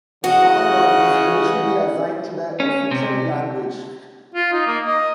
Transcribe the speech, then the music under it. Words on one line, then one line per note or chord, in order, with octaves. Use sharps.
However, it is traditionally assigned to the Occitan language.
C#3 E3 F#4 D#5 F#5
C#4
C3
F4
D#4
A#3
D#5